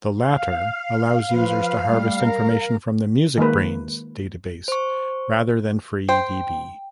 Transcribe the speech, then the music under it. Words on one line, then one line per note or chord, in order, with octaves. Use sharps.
The latter allows users to harvest information from the MusicBrainz database rather than freedb.
F5
F3 B4
G3 A3
A#4
D#3 G#3 A#3 B4
C5 C#6
C5 G5